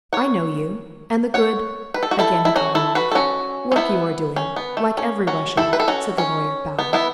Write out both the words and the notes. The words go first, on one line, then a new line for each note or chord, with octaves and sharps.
"I know you and the good"--again he caught a moth--"work you are doing, like every Russian," said the lawyer, bowing.
C#5 F#5
C#5 F#5
B4
A4
F#4
E4 A4
E4
C#4 F#4
E4 A4
F#4 B4
A4
C#4 F#4
C#4
B3 E4
C#4
B3
A3
C#4
C#4 F#4
E4 A4
B4
A4
C#4 F#4
C#4
B3
B3 E4